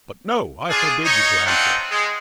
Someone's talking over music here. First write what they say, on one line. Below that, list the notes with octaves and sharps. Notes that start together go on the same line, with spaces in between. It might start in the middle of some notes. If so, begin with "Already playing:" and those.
But no. I forbid you to answer.
D4 F4 G#4
D#4 C#5
C4 D4 D#4 F4 F#5
G#3